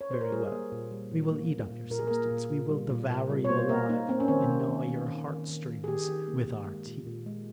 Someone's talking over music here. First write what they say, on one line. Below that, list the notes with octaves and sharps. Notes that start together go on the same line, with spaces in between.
Very well; we will eat up your substance, we will devour you alive and gnaw your heart-strings with our teeth.
C#5
C5
A#4
G3 G#4
A#3
A#2
G3
A#2
A#3
A#3
A#2
A#2 A#4
G#4
A#3 A#4
A#2
A#2
G3
A#2
A#2
G3
C#5
A#3 C5
A#3 A#4
A#3 D#4
A#3 C4
C#4
D#3 C4
A#3
D#3
D#3
D#3
D#3
D#3
D#3
G#4
D#3 G4
D#3
A#3
A#3
G#3
A#2
A#2
G#3